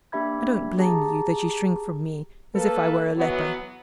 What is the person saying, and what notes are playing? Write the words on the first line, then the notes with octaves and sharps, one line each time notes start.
I don't blame you that you shrink from me as if I were a leper.
A#3 D4 G4 E5 B5 G#6
G4 G#4 A5 A#5
A#3 A4 B4
E3 F#3 B3